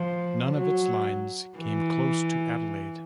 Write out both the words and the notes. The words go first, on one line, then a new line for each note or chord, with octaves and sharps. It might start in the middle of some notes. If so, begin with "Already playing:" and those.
None of its lines came close to Adelaide.
Already playing: F3
F#3
E3